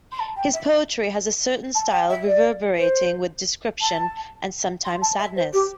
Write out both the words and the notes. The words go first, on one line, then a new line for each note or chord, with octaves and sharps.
His poetry has a certain style reverberating with description and sometimes sadness.
C6
A5
G5
E5
A5
G5
E5
D5
C5
A5
C6
A5
E5
C5
G4